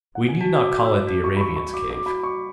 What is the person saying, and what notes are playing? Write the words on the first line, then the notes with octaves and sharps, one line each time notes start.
We need not call it the Arabian's cave.
F#5
G#5
F#4 A5
D6
E5
E6
F#4 D6
C#6
B5
F#4 C#6
C#6
F#4 D6
D6
F#4 B5
C#6